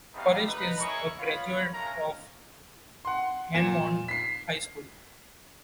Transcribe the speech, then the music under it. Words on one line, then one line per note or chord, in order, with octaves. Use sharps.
Forrest is a graduate of Hammond High School.
G3 A3 B3 C4 D#4 F5
D#4 B4
E4 G#4 A#4 C#5 D#5 C#6
B3 F4 C#5 F5 F#5 B5
G#3 A3 C#4 A#4 F5 A#5
F#5 C6
A#2 E7
B6 C7